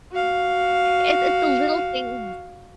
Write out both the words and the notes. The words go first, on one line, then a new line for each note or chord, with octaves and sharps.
It's it's the little things
F#4 F5